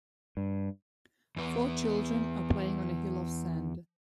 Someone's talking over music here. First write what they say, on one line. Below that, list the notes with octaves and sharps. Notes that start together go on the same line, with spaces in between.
Four children are playing on a hill of sand.
G2
E2 B3